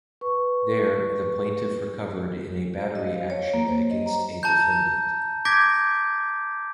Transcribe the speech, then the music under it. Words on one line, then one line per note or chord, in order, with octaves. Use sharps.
There, the plaintiff recovered in a battery action against a defendant.
B4 C#6
C5
D#5
F5
C#5
A#3
C5
D#5
A#5
A5 A#5 G6
D6 G6 G#6 A#6 B6 D7